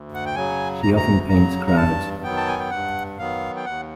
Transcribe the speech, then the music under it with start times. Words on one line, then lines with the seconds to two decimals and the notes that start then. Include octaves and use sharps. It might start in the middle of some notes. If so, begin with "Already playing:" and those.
She often paints crowds.
Already playing: D2
0.15 F#5
0.26 G5
0.34 C#3 F#3 G#5
0.82 D2 A#5
0.97 A#5
1.29 C#3 F#3 A#5
1.67 A#5
1.76 G2 A5
2.23 D#3 F#3 B3 G5
2.37 A5
2.48 G#5
2.59 G5
2.70 G2 F#5
3.17 D#3 F#3 B3 F5
3.56 G5
3.65 D#2 F#5